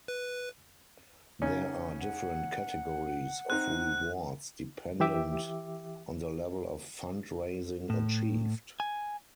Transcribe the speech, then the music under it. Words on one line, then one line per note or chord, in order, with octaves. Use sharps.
There are different categories of rewards, dependent on the level of fundraising achieved.
B4
C#3 C#4 D#4
F#5
C4 D#4 F#6
E3 G4 E5 D6
A2
G#5